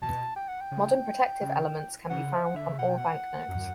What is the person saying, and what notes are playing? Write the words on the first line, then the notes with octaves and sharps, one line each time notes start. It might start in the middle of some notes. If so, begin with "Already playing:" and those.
Modern protective elements can be found on all banknotes.
B2 A5
G5
F#5
G5
C#3
C#3
C#3 F#5
E5
F#5
D3 E5
C#3
B2 F#5
G5
F#5
F#2